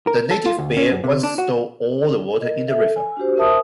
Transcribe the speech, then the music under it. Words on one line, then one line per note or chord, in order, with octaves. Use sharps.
The native bear once stole all the water in the river.
A#4
A4
F4
D2
C#4
F#2
C3
D4
F#4
A#4 D#5
A4 E5
G#5
D4 F#4 G4 C5
A#4 C5 E5 A5 D#6